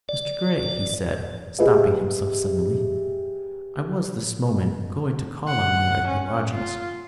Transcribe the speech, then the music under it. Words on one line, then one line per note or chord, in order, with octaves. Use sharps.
"Mr. Grey," he said, stopping himself suddenly, "I was this moment going to call on you at your lodgings."
D5
G4 G#4 B4 D#5 E5
F#5
C#4
F4